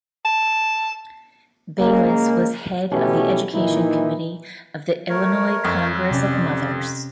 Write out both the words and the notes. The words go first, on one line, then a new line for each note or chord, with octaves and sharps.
Bayliss was head of the Education Committee of the Illinois Congress of Mothers.
A5
C#3 G#3 A#3
B2 E3 A3 C#4 G4
A#2 D#3 E3 D#4 E4
A3 A#4 C#5
F2
C3 C#4 D5